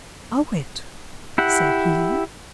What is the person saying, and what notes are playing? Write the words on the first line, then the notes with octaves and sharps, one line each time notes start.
"Owe it?" said he.
E4 G4 F#5